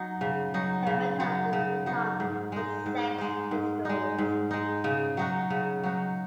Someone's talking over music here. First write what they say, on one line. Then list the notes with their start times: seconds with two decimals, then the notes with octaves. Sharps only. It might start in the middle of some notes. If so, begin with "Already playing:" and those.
They went on to become "The Sex Pistols".
Already playing: F#3 D#4
0.21 C#3
0.54 F#3 D#4
0.87 C#3
1.20 F#3 D#4
1.53 C#3
1.86 F#3 D#4
2.20 G#2
2.52 G#3 D#4
2.86 G#2
3.18 G#3 D#4
3.51 G#2
3.85 G#3 D#4
4.18 G#2
4.51 G#3 D#4
4.84 C#3
5.17 F#3 D#4 F#4
5.50 C#3
5.83 F#3 D#4 F#4